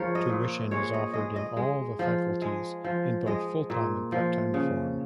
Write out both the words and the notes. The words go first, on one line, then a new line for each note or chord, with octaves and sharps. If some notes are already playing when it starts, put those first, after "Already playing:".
Tuition is offered in all the faculties in both full-time and part-time form.
Already playing: F3 G#3 A#4 C#5
D#5
A#2
G#3 C#5
D#5
G#3 D#5
D#5
G#3
F3
G#3
F3
G#3 D#5
A#2
F3
C#3